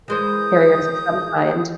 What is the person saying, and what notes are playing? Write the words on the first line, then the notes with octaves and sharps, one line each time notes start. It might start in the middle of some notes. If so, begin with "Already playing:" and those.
carriers of some kind.
E3 G#3 A#4 C5 D#6 G6